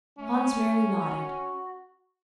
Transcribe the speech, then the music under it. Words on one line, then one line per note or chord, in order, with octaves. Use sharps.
Hans merely nodded.
A3 C#4
F#4